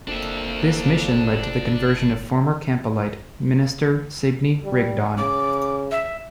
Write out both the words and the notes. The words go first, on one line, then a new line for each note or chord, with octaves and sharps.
This mission led to the conversion of former Campbellite minister Sidney Rigdon.
F#1 F2 A#3 D4 E5
G3
C#3 D6
E5